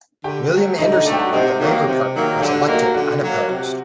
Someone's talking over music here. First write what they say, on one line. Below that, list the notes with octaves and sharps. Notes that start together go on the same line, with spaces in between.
William Anderson of the Labour Party was elected unopposed.
D3 G4 G5
F#3 A3
D3 D#4 D#5
D#4 D#5
F#3 A3 D4 D5
G5
F#4 F#5
C3 D#4 D#5
D#3 F#3 A#3
C3
D#3 F#3 A#3
D3 G4 G5
F#4 F#5
F#3 A#3 D#4 D#5
F#4 F#5
D3 F#4 F#5
F#3 A#3
C3 F#4 F#5